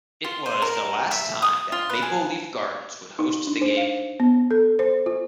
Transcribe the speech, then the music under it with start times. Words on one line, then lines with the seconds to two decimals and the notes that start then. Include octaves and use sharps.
It was the last time that Maple Leaf Gardens would host the game.
0.24 F4
0.46 C5
0.62 A#4
1.11 E5
1.42 D#6
1.72 F4
1.90 B4
2.02 G#4
3.19 D#4
3.47 D4
3.61 C5
3.77 F5
4.20 B3
4.51 A4
4.79 C5
5.06 F4